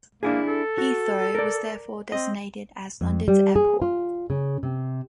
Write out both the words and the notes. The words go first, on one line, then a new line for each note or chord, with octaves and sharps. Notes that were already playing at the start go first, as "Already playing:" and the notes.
Heathrow was therefore designated as London's airport.
A#3 D4 E4 G#4
A4
F#4
A#4 D5
C4 D#5
F2
G3
G#4
F4
C#3
C3